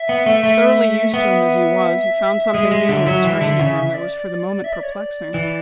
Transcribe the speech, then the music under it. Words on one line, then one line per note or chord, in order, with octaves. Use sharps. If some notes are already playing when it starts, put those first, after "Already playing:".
Thoroughly used to him as he was, he found something new and strained in him that was for the moment perplexing.
Already playing: E5
B3
A3
A3
B3 E5
G#3
G#3
D3
F#3
E3
D3
C#3
D5
E5
D5
C#5
D5
E3